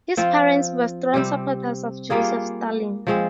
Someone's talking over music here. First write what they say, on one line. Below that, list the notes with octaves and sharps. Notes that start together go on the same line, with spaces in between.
His parents were strong supporters of Joseph Stalin.
F3 C4 F4
C3 G3 C4
G3 A#3 F4 G#4
F3 G#3 C4